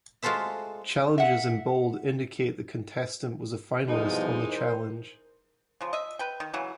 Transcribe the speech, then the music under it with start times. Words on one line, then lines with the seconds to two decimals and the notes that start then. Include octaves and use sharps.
Challenges in bold indicate the contestant was a finalist on the Challenge.
0.22 G#3 F4 F#4 A4 C5 E5
1.18 E5 F#5
3.88 C2 B2 E3 F3 G#3 D#4
4.51 A#4 C5
5.81 C#3 F3
5.93 D#5 E5
6.19 B4 G5
6.40 D#3
6.54 C#3 E3 F#3